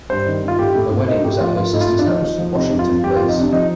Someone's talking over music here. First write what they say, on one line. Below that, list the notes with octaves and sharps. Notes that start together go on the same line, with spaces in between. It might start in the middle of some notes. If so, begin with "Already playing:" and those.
The wedding was at her sister's house, Washington Place.
G2 C5
D#3
D#3
F4
A2 G4
A2
A2
A2 D#4
A2 G4
F3 F4
A2 F4
A2 D#4
F4
A2
D4
F3 D#4
F3
F3
C3 D#4
F2
F4
F2
F2 G4
F4
F2
D#4
C3 D4
F3 D#4